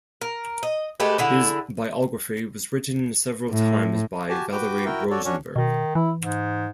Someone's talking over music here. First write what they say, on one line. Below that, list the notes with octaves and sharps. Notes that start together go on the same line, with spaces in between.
His biography was written several times by Valerie Rosenberg.
A#4
D#5
G#3 A3 G4 B4
D3 E4 G#4
A2
F#4 G4 G#5 A5
F#4 B4 G5 D6
E4 F#4 A#4 G5
F#4 A4 C#5 D5
C#4 D4 F#4 C#5
B2 D#3
E3 E4
G#2